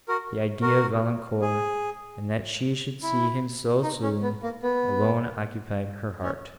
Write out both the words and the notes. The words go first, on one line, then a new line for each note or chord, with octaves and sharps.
The idea of Valancourt, and that she should see him so soon, alone occupied her heart.
F#4 A#4
F#4 A#4
G#4
E4
D#4
C#4
B3
A#3
B3
C#4